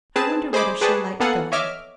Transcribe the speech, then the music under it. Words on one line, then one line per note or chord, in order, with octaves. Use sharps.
I wonder whether she'll like going.
C4 G#4 B4 A5
G#4 C5 D#5 B5 D6
G#4 B4 D5 G5 A5 C#6
A#3 B3 A4 F5 F#5 G#5
C#5 D#5 E5 D6 F6